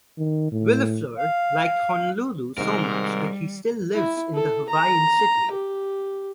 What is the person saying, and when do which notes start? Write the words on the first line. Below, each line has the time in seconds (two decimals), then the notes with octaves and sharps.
Villaflor liked Honolulu so much that he still lives in the Hawaiian city.
0.18 D#3
0.52 A2
1.18 F5
2.58 G#2 C3 D#3 G3 D#4 A#4
3.94 E4
4.34 A4
4.69 A#5
5.52 G4